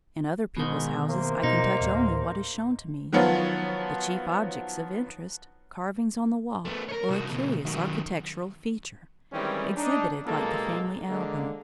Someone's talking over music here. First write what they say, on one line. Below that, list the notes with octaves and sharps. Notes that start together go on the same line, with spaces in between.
In other people's houses I can touch only what is shown to me--the chief objects of interest, carvings on the wall, or a curious architectural feature, exhibited like the family album.
G#2 B2 D#3
C3 A#3 C5
B2 D#4
D1
D#3 F3 F#3 B3 F4 C#5
A3 B3
A#4 C#5
C2 F#4
D2 B2
D#3 F#3
D#3 E3 G3 G#3 C4 C#4
D4 D#4
B1 A#2 G#3 A#3 A4
D3 G#3 A#3